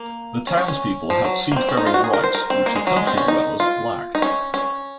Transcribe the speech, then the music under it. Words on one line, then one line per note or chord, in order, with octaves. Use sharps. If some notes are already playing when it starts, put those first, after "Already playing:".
The townspeople had seafaring rights, which the country dwellers lacked.
Already playing: A#3
C#4
C#4
C#4
F3
F#3
A#3
C4
C#4
D#4
F4
F#4
G#4
A#4
C5
A#4
C4
A#3
G#3
F#3
G#3
C4
C#4
D#4
F4
D#4
C#4
C#4